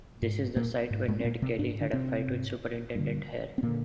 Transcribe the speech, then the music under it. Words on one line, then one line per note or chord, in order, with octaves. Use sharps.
This is the site where Ned Kelly had a fight with Superintendent Hare.
G#2
A#2 A#3
G#2
G#2 G#3
C4
A#2 A#3
C3 C4
G#2 D4
D3 D4
C3 C4
G#2
G2 D3
C4
A#2 D3 A#3